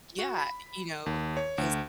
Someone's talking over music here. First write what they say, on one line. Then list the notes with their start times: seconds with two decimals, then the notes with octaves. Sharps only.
yeah, you know, it's,
0.19 F#4
0.38 B5
1.06 D#2
1.37 C#5
1.58 D2